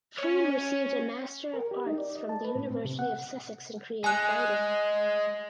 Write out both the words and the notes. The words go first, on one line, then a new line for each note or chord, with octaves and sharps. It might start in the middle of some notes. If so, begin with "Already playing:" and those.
Froom received an Master of Arts from the University of Sussex in creative writing.
C#4 C#5
A#4
G4
D#4
D5
D#5
A5
B4
A2
C4
C3
F#5
G#3 G#5 F#6